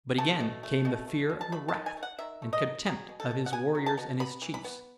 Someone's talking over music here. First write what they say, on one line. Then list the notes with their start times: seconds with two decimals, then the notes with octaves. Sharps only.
But again came the fear of the wrath and contempt of his warriors and his chiefs.
0.18 A3 A5
0.40 B2
0.63 A3
0.85 B2
1.08 A3
1.30 B2
1.41 A5
1.52 A3 B5
1.68 A5
1.74 D#3
1.86 G#5
1.97 A3
2.03 F#5
2.19 D#3 E5
2.42 A3
2.53 D#5
2.64 D#3
2.86 F#3 G#4
3.09 B2
3.20 A4
3.31 B2
3.46 F#5
3.52 B3 G#5
3.75 F#3
3.86 A5
3.97 B2
4.20 B3 B5
4.42 E3
4.54 B5
4.64 B3